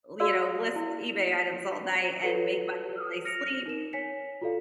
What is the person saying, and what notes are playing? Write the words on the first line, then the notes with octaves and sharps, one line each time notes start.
li know, list eBay items all night and make money while I sleep,
F#4 G#4 D5 F5 E6
E4
F4 F#4 A4 B4 C#5 C7
F6 A#6 C#7 D7 F7
D#4 A#4 E7
C#5 G#5 B6 C#7
F4 F#4 A4 D5 F5